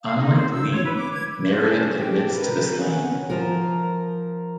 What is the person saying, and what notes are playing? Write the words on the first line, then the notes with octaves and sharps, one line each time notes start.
Unlike Lee, Marriott admits to the slaying.
F5
D#4
C5
E6
C#5
B4
D6
G#6
G#4 A4
G4
A#4 B4
C#4 F#5
F3 A#4